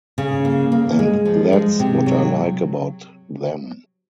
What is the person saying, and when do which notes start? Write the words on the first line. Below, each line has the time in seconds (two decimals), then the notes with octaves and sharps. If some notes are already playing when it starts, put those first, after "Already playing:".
And that's what I like about them.
0.18 C#3
0.45 A#3
0.72 A#3
0.99 G#3
1.25 F3
1.53 G#3
1.79 C3
2.06 F#3